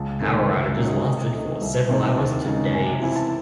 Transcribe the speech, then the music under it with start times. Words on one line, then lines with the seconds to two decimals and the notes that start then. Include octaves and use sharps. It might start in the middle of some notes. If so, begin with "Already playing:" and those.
Power outages lasted for several hours to days.
Already playing: C#2 A5
0.21 C3 D#3 A3
0.49 C#2 E5
0.68 E5
0.77 C3 D#3 F#3 C#4
0.87 D#5
1.05 C3 D#5
1.33 D#3 A3
1.61 C2 E5
1.89 C3 E3 C4 D#4
2.17 D#2
2.46 C#3 G#3 D#4
2.73 C3 G#5
3.01 E3 C4 E4 G#5
3.16 A5